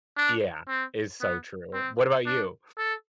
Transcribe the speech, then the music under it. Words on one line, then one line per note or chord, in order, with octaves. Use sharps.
Yeah, it's so true. What about you?
D4
C4
B3
C4
D4
A4